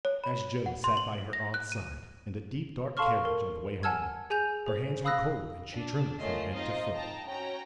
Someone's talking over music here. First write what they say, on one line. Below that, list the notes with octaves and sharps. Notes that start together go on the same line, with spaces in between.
As Joe sat by her aunt's side in the deep dark carriage on the way home, her hands were cold and she trembled from head to foot.
C#5
B5
F#5
C6
F#7
A#6
F#6
D#7
A4 F5 A5 C6 C#6 F6
A#4
F#5 G#5 A5 E6 F6 G#6
G#4 G#5 G6 F7
G#4 C5
F5 B5 D#6 E6 F#6 A#6
D4
A3 C#4 F4 A#4 D#5 C7
C4 D#4 F4 C5 D#5 F5
D#4 G5 A5 A#5
C#4 F#4 C#5 G5 A#5